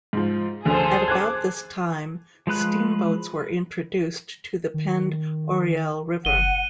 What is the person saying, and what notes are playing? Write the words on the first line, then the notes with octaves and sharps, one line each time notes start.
At about this time, steamboats were introduced to the Pend Oreille River.
G#2 F3
D2 D3 G#4 A4 C5
D6 F#6 G#6
F3 G#3 B4 F#6
D#3
F#1 F#5 D#7 G7